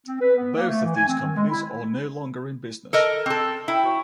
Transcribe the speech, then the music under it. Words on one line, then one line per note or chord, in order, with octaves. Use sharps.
Both of these companies are no longer in business.
C4
B4
B3
A#3
A3
E3
G#5
C4
D#3
G#3
E4
A4 A#4 D#5
C4 A4 D6 F6 F#6
E4 G5
F#4 C#5